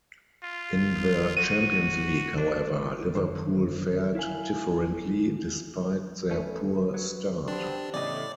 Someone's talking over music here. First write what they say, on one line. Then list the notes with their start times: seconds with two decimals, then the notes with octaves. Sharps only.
In the Champions League, however, Liverpool fared differently, despite their poor start.
0.43 F4
1.37 F#4 D#7
2.37 D4
3.15 F#2 D3 D#3 C5
4.15 E4 E5 F5 G#5
6.31 A3 C#4 B4
6.94 F#3
7.48 B3 C4 D4 G4
7.94 E2 A2 C#3 D5 D#5